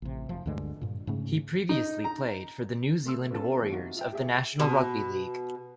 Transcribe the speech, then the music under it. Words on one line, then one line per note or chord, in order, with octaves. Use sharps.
He previously played for the New Zealand Warriors of the National Rugby League.
A1 C3
F1 F3
D2 G2 D3 G#3
G2 A#2
G#2 C#3 A3 C#4
D#4
A#5
A3 C6 E6
B3 C#4 F4 A4 A5
D#2 A2
C3 D#4 F4 F#4
F4 E5 G5
G4 G#4 E5
B2